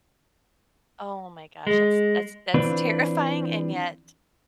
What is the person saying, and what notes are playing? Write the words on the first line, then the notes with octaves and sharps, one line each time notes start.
Oh my gosh, that's that's that's terrifying, and yet,
G#3
E3 C4 D4 F4 B4